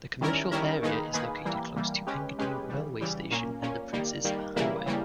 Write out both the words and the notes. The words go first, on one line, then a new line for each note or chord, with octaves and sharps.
The commercial area is located close to Engadine railway station and the Princes Highway.
D#3 G3 C#4 E4 A#4
D#3 G3 C#4 E4 A#4
D#3 A#3 D#4 G#4 B4
D#3 A#3 D#4 G#4 B4
E3 G3 A#3
E3 G3 A#3
G#3 C#4 G4 B4
G#3 C#4 G4 B4
C#3 E3 G3
C#3 E3 G3
A#2 A#3 C#4
A#2 A#3 C#4
D#3 G3 A#3
D#3 G3 A#3
C#3 E3 G3 A#3 E4
C#3 E3 G3 A#3